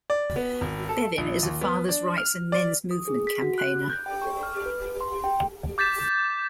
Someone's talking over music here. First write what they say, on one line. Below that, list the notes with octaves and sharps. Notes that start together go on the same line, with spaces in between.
Bevin is a fathers' rights and Men's movement campaigner.
D5
B3
G#1
A4
A#1
D#2
B3
D4
F6
D5
D#6
G#4
B6
F#4
F#6
G6
G5
C#6
F6
B4
C6
G5
D6 G6 A6 B6 E7